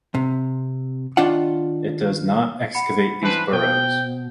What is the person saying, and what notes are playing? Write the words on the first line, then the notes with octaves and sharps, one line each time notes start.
It does not excavate these burrows.
C3
D#3 D4 F4 F#5
F#5 B5 C#7
E3 D4 B4 C5
B2 C5 G5